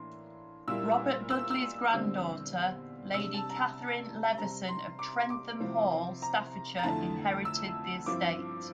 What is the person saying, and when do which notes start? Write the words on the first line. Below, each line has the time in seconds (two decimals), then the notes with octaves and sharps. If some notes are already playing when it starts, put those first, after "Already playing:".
Robert Dudley's granddaughter, Lady Katharine Leveson of Trentham Hall, Staffordshire, inherited the estate.
Already playing: A2 E3 A#3 D4 C6
0.68 A#2 G3 A#3 E4 E6
1.30 E6
1.51 E6
1.91 E2 D3 G3 C4
3.14 C3 G3 D4 E6
3.34 A5
3.50 A#5
3.56 A5
4.37 C3 G3 C4 A#5
4.68 C6
4.99 D6
5.30 D6
5.60 C3 F3 C4 E4
6.22 A#5
6.79 A#5
6.83 F2 D3 A3 E4 A5
7.45 E6
8.06 G2 F3 C4 E4 D6